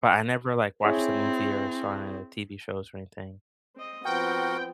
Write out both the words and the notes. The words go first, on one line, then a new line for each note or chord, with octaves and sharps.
but I never, like, watched the movie or saw any of the TV shows or anything.
C4 E4 G#4 C#5
C4 D#5
F3 B3 C4 F#4 A#4 F#5 G5